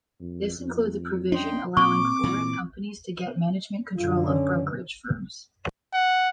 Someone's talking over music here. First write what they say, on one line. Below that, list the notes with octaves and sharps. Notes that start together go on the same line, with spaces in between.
This includes a provision allowing foreign companies to get management control of brokerage firms.
F2
F2
C#4 D4 D#5 G5 C6
A#2 C4 C#6 D6
A#2 E3
F#2 D3 F4
C#4
F#5